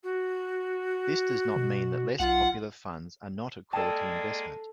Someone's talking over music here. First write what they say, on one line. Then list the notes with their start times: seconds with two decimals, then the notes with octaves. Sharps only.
This does not mean that less popular funds are not a quality investment.
0.03 F#4
1.56 B2
2.20 B1 F4 F#5
3.73 G#3 A#3 G#4 A4 D5 G5 A5